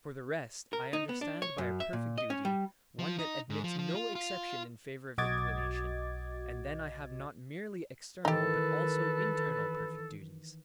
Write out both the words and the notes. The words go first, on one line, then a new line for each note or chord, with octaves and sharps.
For the rest, I understand by a perfect duty one that admits no exception in favour of inclination and then I have not merely external but also internal perfect duties.
A#4
D#4
B3
D4
C#5
F#2
E5
A#2
D#5
C#4
G3
F3
D#4
G#2
F3
F3
F4
F4
B1 F#4 D#5 D6 G#6 A6
D#3 E3 D#4 G4 A4 B4